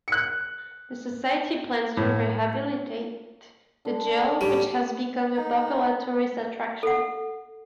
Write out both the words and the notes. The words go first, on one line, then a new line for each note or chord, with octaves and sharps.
The society plans to rehabilitate the jail, which has become a popular tourist attraction.
F#6 C#7
A2
D3
F#3 G3 C#4
D#4
A4 F#5